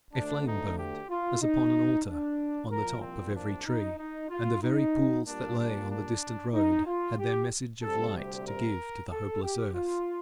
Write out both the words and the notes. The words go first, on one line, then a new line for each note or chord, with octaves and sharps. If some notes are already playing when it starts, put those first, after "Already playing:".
A flame burned as upon an altar on the top of every tree, and the very pools that lay on the distant road had their message of light to give to the hopeless earth.
D2 D3 A3 D4
D#4
G4
F4
D#4
D4
C2 A#2 F3 A#4
C4
D4
D#4
D#4
F4
D#4
A#2 G3 A#3 D4
D4
D4
D#4
F4
G4
D2 C3 G3 C4 A4
G4
A#4
A4
G4
F4